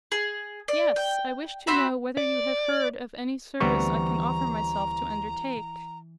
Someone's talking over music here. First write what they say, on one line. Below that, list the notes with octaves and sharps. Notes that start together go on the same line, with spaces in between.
"Yes; I wish to know whether you have heard of any service I can offer myself to undertake?"
G#4
D5
G5
C4 F#4 E5 B5
D5
D2 E3 G3 B3 C4 A#5 C#6